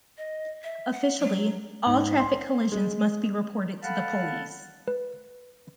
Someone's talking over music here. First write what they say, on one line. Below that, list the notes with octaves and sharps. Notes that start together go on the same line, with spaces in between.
Officially, all traffic collisions must be reported to the police.
D#5
E5
F#5
F#3
G#2
C6
G#3
A4 F5 F#5 A5 B5
B4